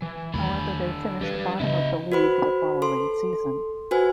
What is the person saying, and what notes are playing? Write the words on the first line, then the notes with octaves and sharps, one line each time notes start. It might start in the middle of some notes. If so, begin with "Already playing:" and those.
However, they finished bottom of the league the following season.
E3
E2 D3 D#3 A3 B5
E3 G3 D4 B4
C#3 B3 D4 E4 D#5
F#4 B4 C5 B5
A4 C6
F#4 B4 C5 G#5